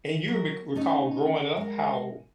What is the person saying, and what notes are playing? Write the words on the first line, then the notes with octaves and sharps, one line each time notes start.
and you re recall growing up how
F#3 A#4
A3 C#4 D#4
G#3 A#4